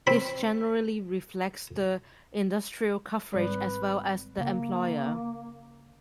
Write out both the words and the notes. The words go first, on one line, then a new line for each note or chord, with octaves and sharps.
This generally reflects the industrial coverage as well as the employer.
C4 B5
G#1 G3 B4
C#3 A#3